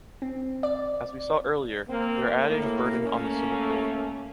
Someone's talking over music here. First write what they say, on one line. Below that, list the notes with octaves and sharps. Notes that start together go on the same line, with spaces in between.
As we saw earlier, we are adding a burden on the civil code.
C4
D5
A#3 C4
A2 A#3
A3 A#3 C#4